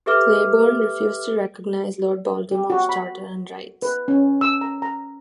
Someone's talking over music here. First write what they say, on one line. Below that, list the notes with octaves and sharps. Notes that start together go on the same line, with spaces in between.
Claiborne refused to recognize Lord Baltimore's charter and rights.
G4 A4 B4 E5 D6 F6
G4
F#4
B5
B4
C#4
E6
A#5
A#5